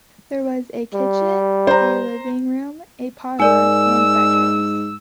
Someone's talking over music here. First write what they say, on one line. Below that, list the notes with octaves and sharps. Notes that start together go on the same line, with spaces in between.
There was a kitchen, a living room, a parlor and bedrooms.
G3
C5 A#5
G#2 A#4 D5 G#5 E6